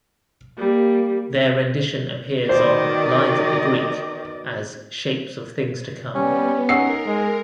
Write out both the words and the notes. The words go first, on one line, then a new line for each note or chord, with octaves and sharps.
Their rendition appears on "Live at the Greek" as "Shapes of Things to Come".
G3 A#3
B2 D#3 C5 D5 D#5 G5
G3 B3 C#4
C#4 D#4 A#4 F#5 E6 C7
G#3